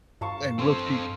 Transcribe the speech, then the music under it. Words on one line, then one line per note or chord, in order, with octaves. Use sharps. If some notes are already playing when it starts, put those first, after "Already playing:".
and will she m
G2 F5 A5 C#6
C4 A4 C5